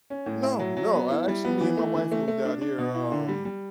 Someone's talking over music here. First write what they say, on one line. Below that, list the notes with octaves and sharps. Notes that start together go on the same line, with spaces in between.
No, no, actually, me and my wife moved out here, um
C#4
A2
E4
F#3
F#3
B3
E4
G3
B3
E3
A3
E3
A3
A3
D4
D4
B2
E4
D3
G3
G3